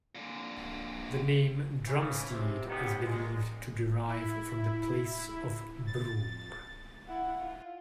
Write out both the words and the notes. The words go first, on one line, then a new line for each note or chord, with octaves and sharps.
The name Brumstead is believed to derive from the "place of broom".
A#2 D3
G#2 C#3 E3 A3 C#4
C3
A1 B3 D#4 G4
A#2 G#3
E4
A6
E4 F#5
F4